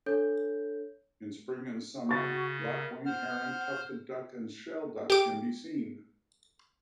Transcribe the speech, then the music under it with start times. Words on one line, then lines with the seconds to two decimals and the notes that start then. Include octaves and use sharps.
In spring and summer, lapwing, heron, tufted duck and shelduck can be seen.
0.06 D4 A4 C#5 G6
2.09 C#3 F#4 C#6 A6
2.60 A#4
3.05 C5 F#5 F6
5.10 G4 D6